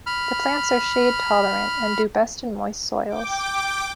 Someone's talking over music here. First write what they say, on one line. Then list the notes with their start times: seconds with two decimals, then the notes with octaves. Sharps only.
The plants are shade-tolerant and do best in moist soils.
0.07 B5 F6
3.09 G5 D6